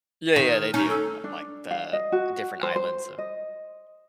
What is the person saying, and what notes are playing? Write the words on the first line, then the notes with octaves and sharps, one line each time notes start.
Yeah, yeah, they do. Uh, like, the different islands, so
D#3
C#4 D#4
A4
D4
F5
D#5
F#4
C5
C5
D#5